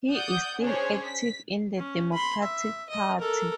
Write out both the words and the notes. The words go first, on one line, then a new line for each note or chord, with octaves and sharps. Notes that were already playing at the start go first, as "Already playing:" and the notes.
He is still active in the Democratic Party.
D5 F#5 D#6 G6
C#4 D4 G#4 C5 C#5
B6
C#4
B5 C6
E5
D#5
A4 A#4